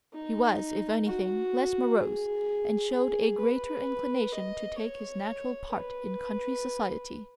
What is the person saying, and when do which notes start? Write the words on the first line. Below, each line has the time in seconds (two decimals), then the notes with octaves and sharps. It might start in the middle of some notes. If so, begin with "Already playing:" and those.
He was, if anything, less morose, and showed a greater inclination to take his natural part in country society.
0.14 D#4
1.06 F#4
1.99 G#4
2.92 G#4
3.39 B4
4.32 D#5
4.79 C#5
5.71 B4